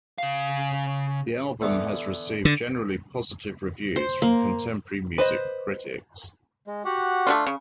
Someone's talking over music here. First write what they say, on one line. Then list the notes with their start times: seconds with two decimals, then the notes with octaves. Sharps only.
The album has received generally positive reviews from contemporary music critics.
0.18 C#3 F5
1.62 D3 E3 B3
2.45 D3
3.96 C5
4.22 A#3
5.18 B4 C5 D#5
6.67 G#3
6.85 F#4 G4 F#5
7.27 A3 D4 F4
7.47 C#3